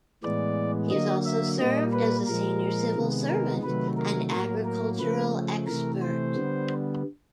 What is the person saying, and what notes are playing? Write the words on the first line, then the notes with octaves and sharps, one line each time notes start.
He has also served as a senior civil servant and agricultural expert.
A2 E3 G#3 B3 D5
D3 F#3 A#3 D#5
E5
A#2 G3 A#3 D#5
B4
A#2 F3 G#3 A#4
C3 D#3 G#3 B3
A#4
C3 D#3 F#3 A3 B4
A#4
A2 F#3 A#3 A#4
A#4
C#3 F3 A3 B4
C3 E3 A3 A#4
C5
D3 G3 B3